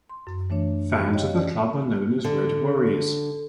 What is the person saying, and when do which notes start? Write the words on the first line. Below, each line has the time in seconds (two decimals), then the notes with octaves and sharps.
Fans of the club are known as Red Warriors.
0.10 C6
0.27 F#2
0.50 E3 A3 D4 C#5
0.98 F#4
1.13 G4 C#5 D#5 F5 G5
1.30 C#4 D5
2.24 D3